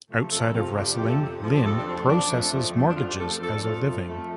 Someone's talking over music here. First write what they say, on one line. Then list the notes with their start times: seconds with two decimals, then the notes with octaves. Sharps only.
Outside of wrestling Lynn processes mortgages as a living.
0.10 C3 F3 A3
0.31 F2 A4
0.54 C3 F3 A3 F4
0.76 F2 D4
0.88 G4
0.98 C3 F3 A3 G4
1.09 A4
1.21 F2
1.43 F3 A3
1.56 G4
1.65 F2 A4
1.79 D4
1.86 F3 A3 C4
1.95 D4
2.09 F2 D4
2.32 F3 A3
2.52 F2
2.75 F3 A3
2.90 D4
2.97 F2 F4
3.08 G4
3.19 F3 A3 A4
3.31 C5
3.41 F2 A4
3.56 D4
3.63 F3 A3 F4
3.85 F2
4.08 F3 A3